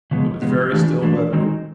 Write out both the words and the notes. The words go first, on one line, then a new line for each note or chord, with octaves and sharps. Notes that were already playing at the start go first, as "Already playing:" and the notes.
It was very still weather.
C#3 F3 G#3 B3
C#3 F3 G#3 B3
E3 A3 D4 F4
E3 A3 D4 F4
D#3 G#3 C4 D#4 F#4